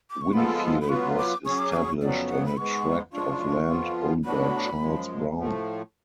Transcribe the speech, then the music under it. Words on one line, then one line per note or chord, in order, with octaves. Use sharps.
Winfield was established on a tract of land owned by Charles Brown.
D6
C#6
F3 G#3 B3 F4 A4 B5
B5
F#3 B3 F4 B4 C#6
D6
F#3 C#4 G#4 C#6
D6
D6
C#6
F2 C#3 F#3 B3 D5
F#5
B5
G#2 G#3 B3 C#6
F#2 F3 G#3 D4 F4 C#6
F2 F3 B3 F4
A2 F#3 B3 D4 F#4 B5
F#2 F3 G#3
A2 F3 A3